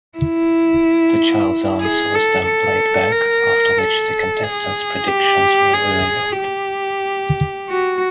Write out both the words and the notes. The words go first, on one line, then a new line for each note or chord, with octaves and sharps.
The child's answer was then played back, after which the contestants' predictions were revealed.
E4
G#4
A4
A4
A#4
A4
G#4
G4
G#4
G4
F#4